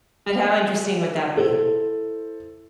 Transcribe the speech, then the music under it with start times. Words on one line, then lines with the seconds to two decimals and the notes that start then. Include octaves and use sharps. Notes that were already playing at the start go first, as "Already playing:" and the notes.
But how interesting would that be?
1.36 E4 A4 C5